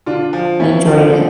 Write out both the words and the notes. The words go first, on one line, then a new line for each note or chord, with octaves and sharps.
I enjoyed it.
D3 D4 F4
F3
F3 C#4 E4
F3